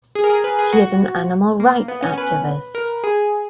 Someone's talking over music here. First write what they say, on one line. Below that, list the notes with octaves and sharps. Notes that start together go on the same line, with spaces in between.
She is an animal rights activist.
G#4
A#4
G#4
B4
G#4
F#4
A#3
B3
C#4
B4
A#4
G#4